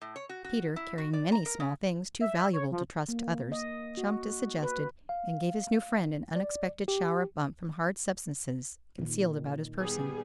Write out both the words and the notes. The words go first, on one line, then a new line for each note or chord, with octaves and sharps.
Peter, carrying many small things too valuable to trust to others, jumped, as suggested, and gave his new friend an unexpected shower of bumps from hard substances concealed about his person.
A2
C#5
F#4
F#4
E4
F#4
D5
A#5
A#4
C#3
E5
C#5
F3
A#3
D#5
F#4
B4
F5
D5
G4
A#2 D#3
G3 B3 G#4